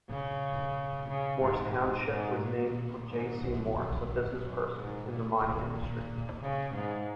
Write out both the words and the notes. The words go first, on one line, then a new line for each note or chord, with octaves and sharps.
Morse Township was named for J. C. Morse, a businessperson in the mining industry.
C#3
C#3
G#2
G#2
G#2
A#2
G#2
F#2
F#2
F#2
F#2
G#2
A#2
A#2
C#3
G#2